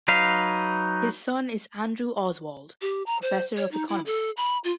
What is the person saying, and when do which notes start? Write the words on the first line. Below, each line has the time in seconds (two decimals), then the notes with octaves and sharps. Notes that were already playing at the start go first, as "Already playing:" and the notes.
His son is Andrew Oswald, Professor of Economics.
0.08 F#3 D#4 B4 F5
2.81 G4
3.06 A#5
3.22 C5
3.57 C#5
3.71 D#4
3.89 E4
4.06 A4
4.37 B5
4.64 F4